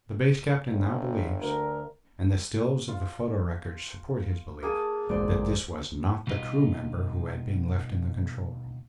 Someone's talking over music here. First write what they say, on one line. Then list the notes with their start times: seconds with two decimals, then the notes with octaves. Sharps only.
The Base Captain now believes, and the stills of the photorecord support his belief, that this was not the crew member who had been left in the control room.
0.70 G1
1.40 D2 A#4
2.89 F4
4.63 A#3 G#4 A5
5.09 E1 A1 G#3 C5 D5
6.27 B2 G3 D#4 F4 D#5